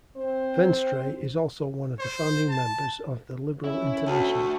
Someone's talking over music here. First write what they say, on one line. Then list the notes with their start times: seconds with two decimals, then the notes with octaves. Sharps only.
Venstre is also one of the founding members of the Liberal International.
0.17 C4 C5
2.00 C5
2.50 A5
3.64 C#4 E4
4.07 D2 A3